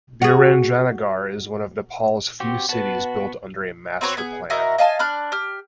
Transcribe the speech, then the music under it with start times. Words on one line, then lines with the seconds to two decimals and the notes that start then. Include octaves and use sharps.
Birendranagar is one of Nepal's few cities built under a master plan.
0.22 F#4 G#4
2.40 C4 F#4 G4
2.69 B3 F#4 B4 F#5 A5
4.01 C4 F#4 B4 C#5
4.17 B3 G#4
4.50 E4 F#4 A#4 D#5
4.78 D#5 F5 G#5 A5
4.99 D4 B5 F6 F#6
5.32 G4 F6